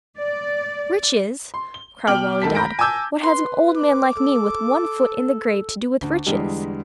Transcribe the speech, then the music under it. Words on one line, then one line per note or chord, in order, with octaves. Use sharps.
'Riches!' cried Wali Dad, 'what has an old man like me with one foot in the grave to do with riches?
D5
C6
G7
B2 G5 D6 F6 F#7 G7
D2 D#3 A4 A5 B6
A#5 B5 G6 A#6 D7
G#5 A5 D6 E6 G6 G#6
B4 C6
D6
A4
D2
E2 D3 G3 G#3